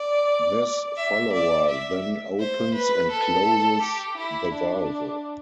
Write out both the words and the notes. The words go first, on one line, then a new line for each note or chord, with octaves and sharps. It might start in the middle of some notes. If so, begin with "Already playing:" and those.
This follower then opens and closes the valve.
Already playing: D5
E5
D5
E5
C5
B4
A4
G4
E4
D4